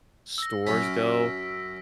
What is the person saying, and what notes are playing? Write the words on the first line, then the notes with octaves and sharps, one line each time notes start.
stores go,
E6 A#6
F#2 C#4 B6
D7